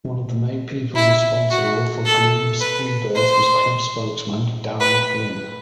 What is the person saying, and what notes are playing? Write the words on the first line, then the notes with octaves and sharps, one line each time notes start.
One of the main people responsible for Glebe's rebirth was club spokesman Darren Flynn.
E4
F#4
A4
B4
C5
B4